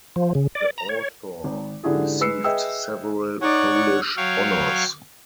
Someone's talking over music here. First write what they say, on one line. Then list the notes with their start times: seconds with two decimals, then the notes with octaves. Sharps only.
The author received several Polish honours.
0.16 F3
0.35 C#3
0.55 D5
0.78 A#5
0.89 C#5
1.44 G#1
1.84 G#2 D3 D4 E4 G4 G#4
2.20 G#3 B4 E6 C7 C#7
2.44 G#4 B4 D#5 E5 G5 E6
3.42 D#4 C#5 D5 F#5 C#6
4.17 F#3 C#5 F5 G5